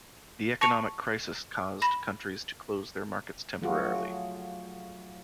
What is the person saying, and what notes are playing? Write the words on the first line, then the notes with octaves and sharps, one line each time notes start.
The economic crisis caused countries to close their markets temporarily.
A5 C#6 A#6 C#7 F7
B5 A#6 E7
F#3 A3 F4 F#4 G#4